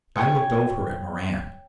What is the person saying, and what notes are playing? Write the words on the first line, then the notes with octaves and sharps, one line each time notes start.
I looked over at Moran.
C#5 G5 G#5